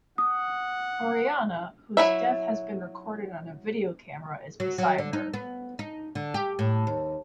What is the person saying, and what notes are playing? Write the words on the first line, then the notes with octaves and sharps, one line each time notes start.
Orianna, whose death has been recorded on a video camera, is beside her.
F#5 D#6
F#3 D4 E4 E5
F#3
F#3
D3
D#4
B3
D#4
D3
G4
A2
D#2